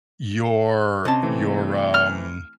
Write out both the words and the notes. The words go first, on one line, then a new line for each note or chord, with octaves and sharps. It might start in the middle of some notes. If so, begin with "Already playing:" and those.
your your, um,
C3 C#4 D#5 A5
E3 A3 C4
F6